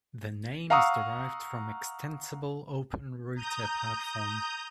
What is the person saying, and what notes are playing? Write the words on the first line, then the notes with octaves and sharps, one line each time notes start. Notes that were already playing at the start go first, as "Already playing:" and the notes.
The name is derived from "eXtensible Open Router Platform".
F5 F#5 A#5 C#6 D#6 E6
A#5 D#6 G6